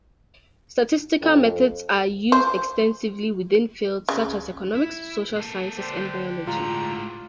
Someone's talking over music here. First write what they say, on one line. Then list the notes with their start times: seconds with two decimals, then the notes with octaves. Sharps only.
Statistical methods are used extensively within fields such as economics, social sciences and biology.
1.21 F2
2.32 C5
4.09 C#3
4.75 E4
5.36 A#3 A4
5.77 D3 G4 C5
6.47 A2 G#3 F4 A#5